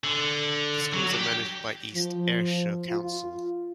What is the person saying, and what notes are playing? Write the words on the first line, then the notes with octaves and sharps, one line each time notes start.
The schools are managed by East Ayrshire Council.
D3
F#3
G4
F3
F4